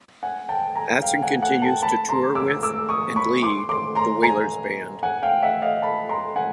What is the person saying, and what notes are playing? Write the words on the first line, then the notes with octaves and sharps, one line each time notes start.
Aston continues to tour with and lead The Wailers Band.
F#5 G#5
G5 A5
G#5 A#5
F5 G5
F#5 G#5
F#5 G#5
G5 A5
A5 B5
A#5 C6
D6 E6
D6 E6
C#6 D#6
B5 C#6
C6 D6
C6 D6
A#5 C6
G#5 A#5
F#5 G#5
F5 G5
E5 F#5
D#5 F5
A5 B5
A#5 C6
F#5 G#5